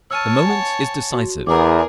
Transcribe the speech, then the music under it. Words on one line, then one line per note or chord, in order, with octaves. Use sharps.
The moment is decisive.
C#5 A5 E6 F6 D#7
F#5 G#5
F#4
E2 G#4 A#4 A#5 D6